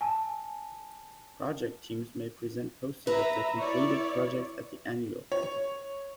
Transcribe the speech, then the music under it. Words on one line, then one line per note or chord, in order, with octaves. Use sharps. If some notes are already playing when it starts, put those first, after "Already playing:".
Project teams may present posters of their completed projects at the Annual.
G#5 A5
B4 E5 A#5
E4 C#5 D5
C#5